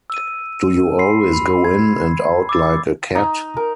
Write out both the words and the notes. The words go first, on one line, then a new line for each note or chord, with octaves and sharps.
Do you always go in and out like a cat?
E6 D#7
B5 C6 C7
B5
G#6
D6 E6 A6
D#4
A#4